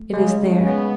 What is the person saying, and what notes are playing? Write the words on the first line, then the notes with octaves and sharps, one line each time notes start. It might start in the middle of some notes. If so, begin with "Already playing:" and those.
"It is there."
Already playing: A3
C#3 G#3
C#3
B3